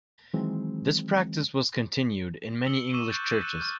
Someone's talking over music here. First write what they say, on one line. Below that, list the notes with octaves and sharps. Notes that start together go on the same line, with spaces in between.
This practice was continued in many English churches.
D#3 E3 F#3 G#3 C4
E6 C#7 F#7 G7
C#6 D6 E6 D#7 E7
C#6 F#6 G6 A6
G6 A6
E6 F#6 D#7
C#6 F6 G6 D#7